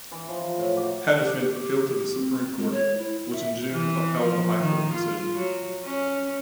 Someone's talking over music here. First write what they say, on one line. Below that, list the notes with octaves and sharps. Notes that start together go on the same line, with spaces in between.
Hanafin appealed to the Supreme Court, which in June upheld the High Court decision.
E3
F3
A#5
A2 E5
F#3 D6
G4
G4
C4
G#3
C#5
E4
E5
E3
F3
D#3
F4
F#3
C#4